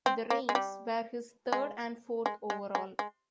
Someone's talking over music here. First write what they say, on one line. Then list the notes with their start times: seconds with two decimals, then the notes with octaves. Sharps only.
The reigns were his third and fourth overall.
0.06 C4
0.30 A#3
0.49 G#3
0.55 G3
1.52 G#3
2.26 G#3
2.50 G#3
2.75 G#3
2.99 G#3